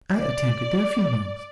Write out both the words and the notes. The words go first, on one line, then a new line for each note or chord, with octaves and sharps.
I attended their funerals.
D5